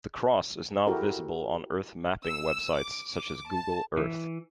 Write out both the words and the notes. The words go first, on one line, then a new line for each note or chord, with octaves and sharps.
The cross is now visible on earth mapping websites such as Google Earth.
E4 F#4 G4 A4 A#4
E6
D6
D6
A5
E3